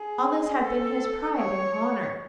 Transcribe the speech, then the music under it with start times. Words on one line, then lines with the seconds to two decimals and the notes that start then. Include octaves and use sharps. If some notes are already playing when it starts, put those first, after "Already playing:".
All this had been his pride and honor.
Already playing: G#4
0.61 A4
1.37 C#5